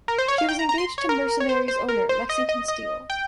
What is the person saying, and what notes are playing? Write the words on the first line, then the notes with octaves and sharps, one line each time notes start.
She was engaged to Mercenary's owner, Lexington Steele.
A#4
C5
C#5
F5
G5
A#5
A#5
C6
C#5
A#4
C#5
C5
C5
A#4
C5
D#5
D#5
D#5
G5